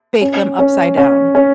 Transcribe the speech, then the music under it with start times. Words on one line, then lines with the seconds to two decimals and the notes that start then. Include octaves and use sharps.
bake them upside down.
0.21 C#4
0.59 C#4
0.97 C#4
1.35 C#4